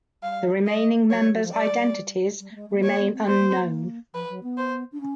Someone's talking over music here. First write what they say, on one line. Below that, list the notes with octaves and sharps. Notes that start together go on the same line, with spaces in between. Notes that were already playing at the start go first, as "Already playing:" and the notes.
The remaining members' identities remain unknown.
G3 F5
D#5
F#3 C#5
G3
F#3
F3
G3 D5
G3
A3
G#3
A3
B3
A#3 C#5
B3
C4
B3 C5
A#3
C4
A#3
F3 B4
F#3
B3
C5
D4
C#4